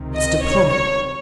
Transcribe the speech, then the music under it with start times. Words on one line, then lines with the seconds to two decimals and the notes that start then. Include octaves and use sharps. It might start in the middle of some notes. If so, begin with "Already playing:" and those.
It's deplorable.
Already playing: C#2 C3 D#3
0.14 D#5
0.42 C#5
0.71 C#5